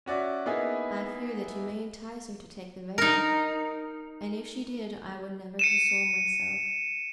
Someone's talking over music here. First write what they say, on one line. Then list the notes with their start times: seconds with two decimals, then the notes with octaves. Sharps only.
I fear that you may entice her to take the veil, and if she did I would never console myself.
0.06 C#4 F#4 D5 E5
0.46 A#3 B3 D#4 E4 G#4
2.98 D#4 A#4
5.59 C#7 D#7 E7